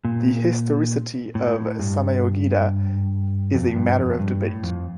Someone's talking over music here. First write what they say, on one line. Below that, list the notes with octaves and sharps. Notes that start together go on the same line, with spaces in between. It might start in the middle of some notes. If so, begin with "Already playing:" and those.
The historicity of Samyogita is a matter of debate.
A#2
A2
G2
F2
G2
F2
G2
A2
F2